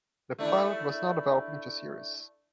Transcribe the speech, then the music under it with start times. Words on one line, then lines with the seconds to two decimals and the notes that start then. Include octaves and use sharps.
The pilot was not developed into a series.
0.38 A3 D4 E4